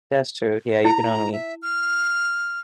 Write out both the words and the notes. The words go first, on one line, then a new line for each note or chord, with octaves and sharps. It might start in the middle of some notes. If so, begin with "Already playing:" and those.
That's true, yeah, you can only
E4 A#5
E5
F6